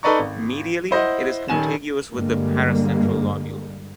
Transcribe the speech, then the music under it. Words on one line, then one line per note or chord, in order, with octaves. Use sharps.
Medially, it is contiguous with the paracentral lobule.
D#4 A4 B4 D5 A#5 C#6
G#1
E4 C5 D#5 F#5
D#1 D#3 G#5 E7
G2 D3 G3 G#3 A#3